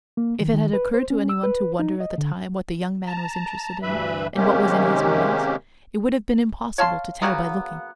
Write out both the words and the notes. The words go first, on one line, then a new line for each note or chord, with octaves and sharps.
If it had occurred to any one to wonder at the time what the young man was interested in, and what was in his mind, it would have been impossible to tell by looking at him.
A#3
D#3
D#3
B4
C5
C#4
E6
B4
D#4
D#5
D3
A5 A#5
D2 G2 E3 B4 E5 B5
C3 D#3 G#3 A#3 C#4 G4
C#5 F5 A5 C6
C#3 F#3 A#3 B3